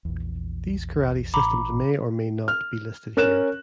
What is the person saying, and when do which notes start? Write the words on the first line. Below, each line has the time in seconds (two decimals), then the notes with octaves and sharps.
These karate systems may or may not be listed here.
0.05 A#1 E2
1.34 A1 A#5 B5 D6
2.48 F6
3.17 C#4 A#4 F#6 E7